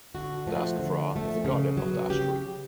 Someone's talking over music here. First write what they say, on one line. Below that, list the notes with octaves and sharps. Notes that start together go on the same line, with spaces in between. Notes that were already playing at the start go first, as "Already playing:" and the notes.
The Askafroa is the guardian of the ash tree.
D3 F#4
F3 A3
D3
F3 A3
C#3
F#3 B3
C#3 G4